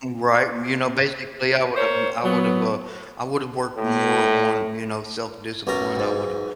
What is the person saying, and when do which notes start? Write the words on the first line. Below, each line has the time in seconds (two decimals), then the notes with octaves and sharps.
Right, you know, basically, I would've I would've uh, I would've worked more on, you know, self-discipline, I would've
1.76 A#4 C5 C#5
2.24 F#3 B3
3.77 A2 A3
5.67 B1 F#2 A#4
5.96 B1 G#2